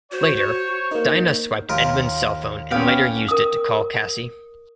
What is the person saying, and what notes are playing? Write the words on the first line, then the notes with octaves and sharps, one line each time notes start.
Later, Dinah swiped Edmund's cell phone and later used it to call Cassie.
F#4 C5 C#5
A#3 D#4 A#4
D#2 F4 A#4
B3 C#4 G4 F5
A#4 D#6